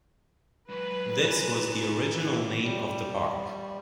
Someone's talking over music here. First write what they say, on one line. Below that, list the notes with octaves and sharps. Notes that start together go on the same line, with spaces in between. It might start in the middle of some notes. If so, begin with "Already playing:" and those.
This was the original name of the park.
F#3 G#3 B4
G#5 A#5
E3
G3